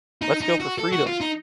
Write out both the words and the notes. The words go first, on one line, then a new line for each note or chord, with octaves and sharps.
Let’s go for Freedom!
D#4
D#4
F#4
A4
F#4
F4
D#4